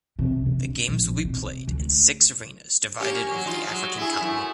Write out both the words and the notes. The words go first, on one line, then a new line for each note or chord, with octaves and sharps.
The games will be played in six arenas divided over the African continent.
C3
D3
A#1
C3
D2
A#3 C#4 G4
F#3
D#4 F4
F#3 G#3
E4 G#4
F#2 A3 E4